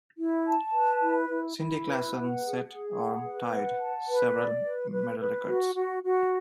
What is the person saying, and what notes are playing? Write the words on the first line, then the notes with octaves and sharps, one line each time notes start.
Cindy Klassen set or tied several medal records.
E4
A5
B4
E4
E4
E4
B4
F#5
G#4
G#4
F#5
B4
F#5
A5
B4
D5
B4
B4
B4
F#4
F#4
F#4